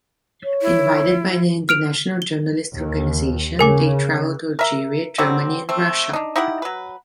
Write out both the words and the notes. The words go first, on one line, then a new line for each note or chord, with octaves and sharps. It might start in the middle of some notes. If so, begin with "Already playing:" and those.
Invited by the International Journalists Organization, they travelled to Algeria, Germany and Russia.
C#5
E4
F6 D7 F7
G7
D#2
C#3 A#4 G#5 D6
A#4 E5 A#5
D3 F#3 G3 C4
A3 C4
D4 D#4
D#4 E4 G4 F#5
F#3 B4